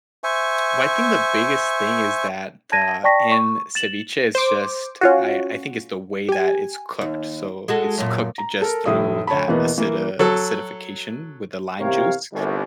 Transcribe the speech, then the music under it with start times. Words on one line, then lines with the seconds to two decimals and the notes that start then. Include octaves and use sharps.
Well, I think the biggest thing is that the in ceviche, it's just I I think it's the way that it's cooked. So, it's cooked just through that acid uh, acidification with the lime juice,
0.24 C5 E5 G#5 C#6
2.72 A5 G#6 A#6 D#7
3.04 D5 G5 A5 C#6 A#6 B6
3.32 C#6
3.75 A6 E7 F#7
4.35 C5 D6
5.01 C#4 F4 F#4
6.29 G4 G#5
7.01 D#2
7.68 G#3 F#4 A4
7.98 F#2 A#2
8.38 A#5
8.62 A4 A#4
8.85 F1 A2 E4 D#6
9.27 D2 C#5 A5 B5
9.48 E2 B2 E3 A#3 B3
9.78 E3 A#3
10.19 F#3 A4
11.79 E2 C3 G4 A#4 C#5 F5
12.32 G1 C2